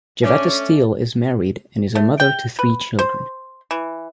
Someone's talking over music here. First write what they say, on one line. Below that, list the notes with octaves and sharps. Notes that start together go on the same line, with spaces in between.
Jevetta Steele is married and is a mother to three children.
A3 C#4 D4 D5
A3
G5
B4
C5
E3